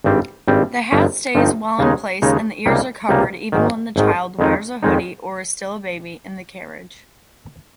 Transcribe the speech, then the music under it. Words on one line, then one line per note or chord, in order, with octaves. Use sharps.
The hat stays well in place, and the ears are covered even when the child wears a hoodie or is still a baby in the carriage.
G#1 G2 G3 C4
G#1 G2 G3 C4
G1 G2 F3 C4 D#4
G1 G2 F3 C4 D#4
D#2 C#3 G#3 D#4
D#2 C#3 G#3 D#4
C#2 C3 G3 A#3 D#4
C#2 C3 G3 A#3 D#4
G#1 G#2 D#3
G#1 G#2 D#3
F2 D#3 G#3 C4 D#4
F2 D#3 G#3 C4 D#4